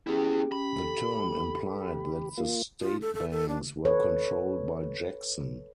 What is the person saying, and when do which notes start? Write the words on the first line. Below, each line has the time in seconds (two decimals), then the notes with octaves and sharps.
The term implied that the state banks were controlled by Jackson.
0.07 B3 C#4 E4 G4 G#4 G5
0.52 C#4 B5
0.80 A4
2.38 A#3 F4
2.81 F4
3.02 A4
3.15 A4
3.31 A4
3.49 D4
3.85 A4 B4 C#5